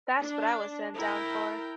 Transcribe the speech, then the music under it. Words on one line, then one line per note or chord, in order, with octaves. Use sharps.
That's what I was sent down for.
D4
E4 A#4 G5